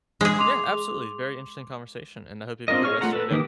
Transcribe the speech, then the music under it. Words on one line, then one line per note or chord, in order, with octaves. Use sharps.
Yeah, absolutely, very interesting conversation, and I hope you have a good rest of your day.
G#3 G#4
C6 D6 F7
C4 D4 F4 A#4 D#5
G#4 C#5 C#6 F6
A3 F4 F#5 A#5
A4 B4
D#3 A#3 G4 D#6